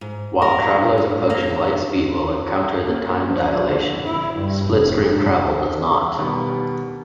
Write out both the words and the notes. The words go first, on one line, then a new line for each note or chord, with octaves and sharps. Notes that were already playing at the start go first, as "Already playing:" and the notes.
While travellers approaching light speed will encounter time dilation, slipstream travel does not.
G#2
A#4
D2
A#3
A#3
F3
D3
E4
G2
F1
B2 D#3 G3 B3